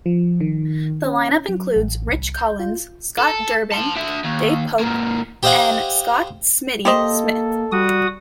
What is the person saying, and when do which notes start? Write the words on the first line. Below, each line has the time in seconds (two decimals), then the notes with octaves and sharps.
The line-up includes Rich Collins, Scott Durbin, Dave Poche, and Scott "Smitty" Smith.
0.06 F3
0.40 D#3
1.05 C#4
1.48 F#3
1.76 A1
2.07 C2
2.34 G6
2.59 F4
3.19 A4
3.72 A5 C6
3.96 D4 E5
4.25 D#2
4.80 G#2 A#3
5.43 G4 C5 D#5 F5 F#5 G#5
6.85 A#3 G4 A4 C5 D#5
7.72 G3 F#4 D#6